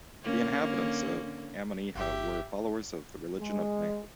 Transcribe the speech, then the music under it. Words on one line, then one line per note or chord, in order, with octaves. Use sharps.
The inhabitants of Ammonihah were followers of the religion of Nehor.
D3 A#3 C#4
G1 G4 E5
G#3